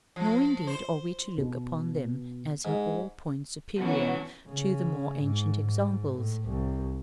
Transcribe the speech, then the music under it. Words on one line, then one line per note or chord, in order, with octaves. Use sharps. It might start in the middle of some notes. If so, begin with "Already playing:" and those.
Nor indeed are we to look upon them as in all points superior to the more ancient examples.
F3
C5
B2
G#2
E3 F3 B3 C#4 F#4 C#5
C#3
G#2
G#2
A2
C2